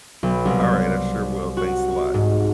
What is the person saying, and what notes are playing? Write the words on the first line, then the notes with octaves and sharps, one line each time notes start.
Alright, I sure will, thanks a lot.
B1
C2
F#4
G#2